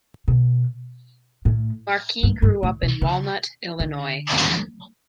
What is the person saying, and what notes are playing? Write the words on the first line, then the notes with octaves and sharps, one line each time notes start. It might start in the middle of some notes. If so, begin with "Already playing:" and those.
Marquis grew up in Walnut, Illinois.
B2
A2
G2
G2
A2
B2
C#3
D3